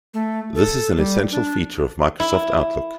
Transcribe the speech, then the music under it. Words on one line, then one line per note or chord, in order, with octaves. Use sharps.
This is an essential feature of Microsoft Outlook.
A3
A4
G3
D4
E4